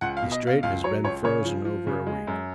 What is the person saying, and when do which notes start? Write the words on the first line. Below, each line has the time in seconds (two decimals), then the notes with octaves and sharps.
The Strait has been frozen over a week.
0.01 C#2 F#5
0.17 F5
0.22 B2
0.32 D#5
0.43 B2 F5
0.63 C#2 F5
0.84 F#3 C#5
1.04 C#2 C#5
1.24 C#3 C#5
1.45 F3
1.65 F3
1.87 C#3
2.07 G#3
2.27 F#2